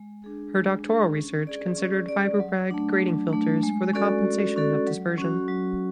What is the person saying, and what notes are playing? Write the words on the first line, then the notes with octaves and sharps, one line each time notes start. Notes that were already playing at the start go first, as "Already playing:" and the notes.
Her doctoral research considered Fiber Bragg grating filters for the compensation of dispersion.
Already playing: G#3
D4 G#4
G#3
D4 G#4
C#4
G#4 D5
C#4
G#4 D5
F#3
A3 D4
F#3
A3 D4
G#3
C#4 F#4 A4 D5
G#3
C#4 F#4 A4 D5
F#3
C#4 F#4
F#3